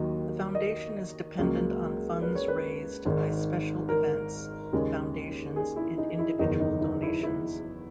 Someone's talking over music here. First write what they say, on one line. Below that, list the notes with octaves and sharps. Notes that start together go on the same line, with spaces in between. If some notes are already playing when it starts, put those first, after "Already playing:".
The Foundation is dependent on funds raised by special events, foundations, and individual donations.
Already playing: D#2 D#3 F#3 A#3 D#5
D#5
C#2 C#3 F#3 A#3
B4
C#5
B4
G#1 G#2 D#3
A#4
D#2 C#3 G#3
G#4
E4
D#4
E4
F#1 E2 D#3 D#4
D#4
D#4
E4
E4